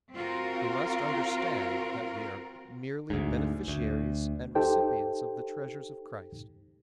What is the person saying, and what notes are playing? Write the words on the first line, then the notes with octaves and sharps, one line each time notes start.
We must understand that we are merely beneficiaries and recipients of the treasures of Christ.
C4 F4 F#4 A#4
D2 G#2
D2
D#4 G4 A4 C5 G5